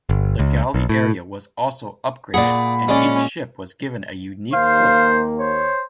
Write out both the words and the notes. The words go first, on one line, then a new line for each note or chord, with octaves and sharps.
The galley area was also upgraded and each ship was given a unique look.
G1
C#2
B1
A2
A#2 G#4 D5 F#5 B5
G#3 C#4 D5
D#2 A#3 C5 F5
C5 C#5